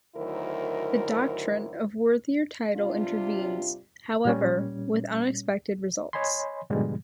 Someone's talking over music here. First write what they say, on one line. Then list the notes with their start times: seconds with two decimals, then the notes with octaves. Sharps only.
The doctrine of worthier title intervenes, however, with unexpected results.
0.16 D2 D#3 F#3 E4 A#4 C5
2.75 C3 G3 D4 F4
4.25 A#2 G3 C#4
6.13 C#5 D#5 G#5 B5 C6
6.70 G#2 B2 D3 F3 G3 G#3